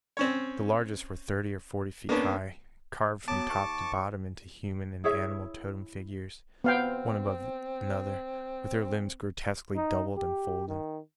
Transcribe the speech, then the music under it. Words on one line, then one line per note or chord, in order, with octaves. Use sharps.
The largest were thirty or forty feet high, carved from top to bottom into human and animal totem figures, one above another, with their limbs grotesquely doubled and folded.
C4 C#4 C#5
A#3 B3 C#4 D4
F#3 B3 A5 D6
D#2 C#6
E4 G#4 C#5 E5
B3 C4 F5 G5
D#4
G4
D#3